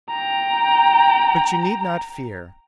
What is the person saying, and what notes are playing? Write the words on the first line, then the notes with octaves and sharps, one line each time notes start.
But you need not fear.
G5 A#5